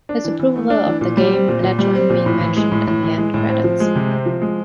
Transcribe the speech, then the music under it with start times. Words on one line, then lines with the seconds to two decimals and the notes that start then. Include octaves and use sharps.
His approval of the game lead to him being mentioned in the end credits.
0.09 D4
0.24 E3
0.40 E3
0.56 A3
0.70 D4
0.86 E3
1.01 A#2
1.17 G3
1.33 C4
1.48 A#2
1.63 A#2
1.79 G3
1.95 C4
2.10 A#2
2.26 A2
2.41 E3
2.57 G#3
2.71 A2
2.87 A2
3.03 E3
3.18 G#3
3.34 A2
3.49 C4
3.64 F3
3.80 G#3
3.95 C3
4.11 C4
4.26 F3
4.42 G#3